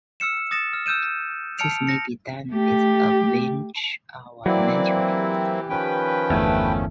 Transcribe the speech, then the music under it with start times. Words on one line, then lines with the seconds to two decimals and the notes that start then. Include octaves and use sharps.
This may be done with a winch, or manually.
0.20 E6 F6 C#7 E7
0.51 D#6 A6 A#6 C#7 E7
0.73 F6
0.86 E6 F6 G6 D#7 E7
1.59 A5 F6 C#7 D7 F7
1.87 A#6 C#7
2.52 A3 G4
4.46 E3 F#3 A#3 C4 E4 D5
5.12 G4
5.70 D#3 F3 C#4 B4 G5
6.30 G1 E2 A3